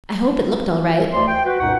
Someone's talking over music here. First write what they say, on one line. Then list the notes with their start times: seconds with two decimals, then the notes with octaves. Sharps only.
"I hope it looked all right?"
1.13 D2 A3 C5 D5 D#5 C6
1.27 G5
1.46 F#4 B4
1.60 C#2 F#2 A#2 D#4 F#5